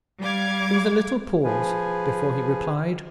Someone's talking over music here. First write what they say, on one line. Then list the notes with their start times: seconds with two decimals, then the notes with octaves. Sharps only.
There was a little pause before he replied.
0.21 G3 F5 D6 G#6
1.44 F3 G#4 B4 G#5